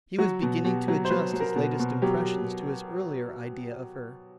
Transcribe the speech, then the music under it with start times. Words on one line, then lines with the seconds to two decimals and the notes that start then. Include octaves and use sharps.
He was beginning to adjust his latest impressions to his earlier idea of her.
0.18 F#3 F#4
0.42 B2
0.64 B2 G4
0.88 F#3
1.05 C5
1.10 F#3 B4
1.33 F#3
1.40 A#4
1.56 B2
1.79 B2
2.02 F#3 G4